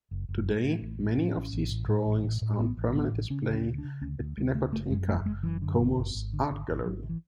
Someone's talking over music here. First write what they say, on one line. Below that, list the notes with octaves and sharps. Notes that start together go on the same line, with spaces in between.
Today, many of these drawings are on permanent display at Pinacoteca, Como's art gallery.
F#1
F#1
A2
A2
A1
A2
A2 C#4
A1
A1
A2
A2
A1
A2
A2
A1 B3
A1
A2 B3
A1
C#3 C#4
D2
C#4
C#3
D4
C#3
D2 C#4
D2
D2 G#3
C#3 A3
F#1 A3
A3
F#2 G#3
F#1 A3
F#1 G#3
F#2 E3
D3
F#1
F#1
G#1
D3
G#1
G#1
G#1 F#3
D3
E3